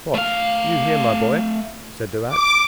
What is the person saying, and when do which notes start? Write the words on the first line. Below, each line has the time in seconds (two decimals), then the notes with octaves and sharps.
"What! you here, my boy?" said the rat.
0.15 A3 F5
2.29 D6